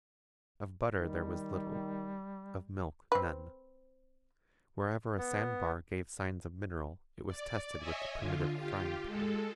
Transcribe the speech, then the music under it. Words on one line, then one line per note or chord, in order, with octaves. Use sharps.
Of butter there was little; of milk, none. Wherever a sand-bar gave signs of mineral, it was tested with the primitive frying-pan.
D#3 G3
C4 B4
B3
D5
C#5 D#5 E5 G#5
D3 F4
F4 G4
G#3 A4